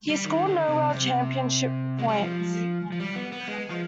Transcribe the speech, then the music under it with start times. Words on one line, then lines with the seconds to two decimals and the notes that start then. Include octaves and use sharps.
He scored no World Championship points.
0.09 G3
0.25 D#3
0.46 D3
0.68 C3
0.90 C3
1.99 G#3
2.08 G3
2.19 F3
2.92 F3
3.00 G3
3.16 B3
3.32 B3
3.48 G#3
3.71 F3